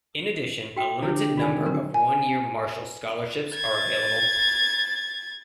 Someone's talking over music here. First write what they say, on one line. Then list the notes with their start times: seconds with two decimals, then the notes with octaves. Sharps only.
In addition, a limited number of one-year Marshall scholarships are available.
0.76 F#4 G5
1.03 D3 E4 G4 C#5
1.37 C3 D#3 F4 D5 G#5
1.66 D3 F#3 C4 A#4
1.94 G#5
3.55 G#6 A6